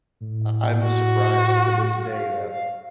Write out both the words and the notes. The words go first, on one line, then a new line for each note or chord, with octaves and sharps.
I I'm surprised to this day that,
A2
F#4
F5